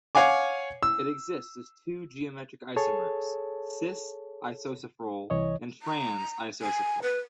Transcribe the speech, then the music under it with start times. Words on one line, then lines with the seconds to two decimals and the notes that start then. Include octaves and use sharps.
It exists as two geometric isomers, "cis"-isosafrole and "trans"-isosafrole.
0.15 C#5 F5 F#5 G#5 D6
0.83 E6
2.76 G#4 A4 C#5 A5
5.30 C2 E3 C#5 D#5
5.82 A#5
6.62 G#5
7.02 B4